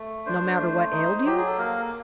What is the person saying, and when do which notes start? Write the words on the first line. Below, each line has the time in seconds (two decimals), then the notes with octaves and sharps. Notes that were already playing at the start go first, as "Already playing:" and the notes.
"No matter what ailed you?"
Already playing: A3
0.26 D4 C5
0.59 A3
0.92 D#4
1.25 F#3 G4
1.37 G#4
1.47 A4
1.58 A#3 A#4